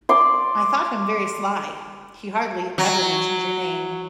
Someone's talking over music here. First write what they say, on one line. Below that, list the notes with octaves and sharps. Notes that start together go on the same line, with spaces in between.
I thought him very sly; — he hardly ever mentioned your name.
D5 C6
F#3